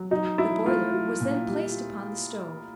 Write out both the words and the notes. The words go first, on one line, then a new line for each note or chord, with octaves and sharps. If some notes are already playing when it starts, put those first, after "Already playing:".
The boiler was then placed upon the stove.
Already playing: F#3
F#3 D#4
F#3 E4
A3 F4
F#3
A#2
G3